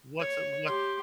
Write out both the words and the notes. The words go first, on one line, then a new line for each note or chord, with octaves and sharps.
What's, uh what
C#5
G4 C6